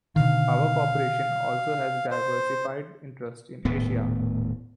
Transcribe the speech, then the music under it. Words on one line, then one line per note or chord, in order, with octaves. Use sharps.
Power Corporation also has diversified interests in Asia.
B2 D3 D#3 F5
C5
D#1 A2 A3 B3